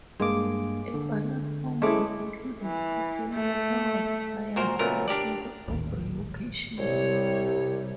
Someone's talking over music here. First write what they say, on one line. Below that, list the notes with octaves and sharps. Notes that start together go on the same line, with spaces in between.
A ballot form was included but the letter was biased in favour of relocation.
G2 G#3 A#3 D6
D3
G#3 A3 B3 C#4 E4 D6
E3
A3
A#2 F#4 A#4 C5
C#2 A#2 F#3 A3 B3 A#4
D4 G4 A#4 D5
D#1 A1 D#2
C2 C3 G3 C#5